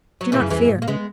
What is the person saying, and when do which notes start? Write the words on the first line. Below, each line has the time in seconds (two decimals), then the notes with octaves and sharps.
Do not fear.
0.21 F#3
0.32 A#2 C#3 E3
0.41 F#2
0.50 E2 E3 G#3
0.60 F#2
0.69 G#2
0.79 A#2 A#3
0.88 C#3 G#3 B3